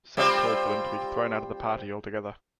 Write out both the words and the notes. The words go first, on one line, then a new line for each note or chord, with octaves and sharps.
Some called for them to be thrown out of the party altogether.
G3 C4 F4